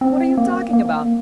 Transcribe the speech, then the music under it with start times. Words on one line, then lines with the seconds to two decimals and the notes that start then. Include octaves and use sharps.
What are you talking about?
0.01 C4
0.37 A#3
0.73 A#3